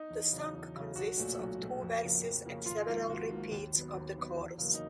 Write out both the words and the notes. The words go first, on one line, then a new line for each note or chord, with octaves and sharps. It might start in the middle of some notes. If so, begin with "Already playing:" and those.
The song consists of two verses and several repeats of the chorus.
Already playing: D#4
E2
C#3 F#3
E2
C#3 F#3
B1 F#4
A#2 F#3 A3
B1
A#2 F#3 A3
F2
C#3 F3 A#3
F2
C#3 F3 A#3
G#1 F4
G#2 F3 A#3 F4
G#1 F#4
G#2 F3 A#3
D#2
D#3 F#3 B3
D#2
D#3 F#3 B3
E2
C#3 F#3 A#3
D#4